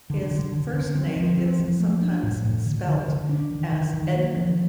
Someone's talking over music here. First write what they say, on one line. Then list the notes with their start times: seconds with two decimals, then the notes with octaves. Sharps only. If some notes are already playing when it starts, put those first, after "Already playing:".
His first name is sometimes spelt as Edmond.
0.10 D3
0.31 D3
0.52 D3
0.74 D3
0.95 C4
1.16 F3
1.38 C4
1.60 F3
1.80 A3
2.01 D4
2.23 A2
2.45 A2
2.66 D3
2.87 D3
3.08 D3
3.29 D4
3.51 D#3
3.72 D#3
3.94 D#3
4.15 A#3
4.37 F3